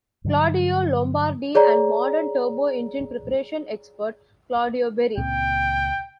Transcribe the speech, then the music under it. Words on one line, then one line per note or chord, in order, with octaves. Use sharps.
Claudio Lombardi, and modern Turbo-engine preparation expert, Claudio Berri.
G2 D3 F#3
G#4 C#5 D5 A#5
C#2 A#2 C4 G5